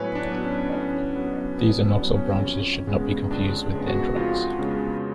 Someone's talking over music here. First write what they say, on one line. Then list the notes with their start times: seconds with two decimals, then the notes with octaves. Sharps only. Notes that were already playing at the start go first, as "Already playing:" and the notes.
These axonal branches should not be confused with dendrites.
Already playing: A2 F#3 B3 B4 C#5 G#5
0.15 D4
0.30 F#3 B3
0.45 C#4
0.72 A2 C#4
1.15 F#3 B3
1.58 A2 B3
1.88 B3
2.02 F#3 B3
2.15 C#4
2.45 F2
2.87 C#3 G#3 B3
3.30 F2 D4
3.74 C#3 G#3 B3
3.88 F#4
4.16 F2 F4
4.59 C#3 G#3 B3